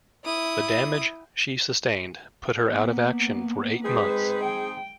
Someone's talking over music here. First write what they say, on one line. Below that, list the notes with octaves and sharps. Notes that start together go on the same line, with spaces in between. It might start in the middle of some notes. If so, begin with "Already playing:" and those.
The damage she sustained put her out of action for eight months.
E4 D#6
A#3 B3
G#3 C4 D#4 G#4 B4
G5